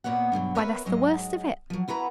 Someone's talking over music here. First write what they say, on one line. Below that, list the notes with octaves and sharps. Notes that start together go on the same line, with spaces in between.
'Why, that's the worst of it.
A#2 A#3 B3 C#5 F#5
G2 B2 D3 F#3
B3 A#4 B4 C#5 D#5 E5
G#2 F#3 G#3 D#5
F3 F#3
B3 E4 F#4 B4 A#5